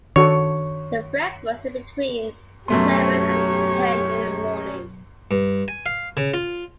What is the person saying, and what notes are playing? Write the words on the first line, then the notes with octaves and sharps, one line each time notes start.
The breakfast is between seven and ten in the morning.
D#3 D4 F#4 A4 C#5
F#2 B2 F#3 A3 G4 C#5 C6
G2
G#5
F5
C#3
F4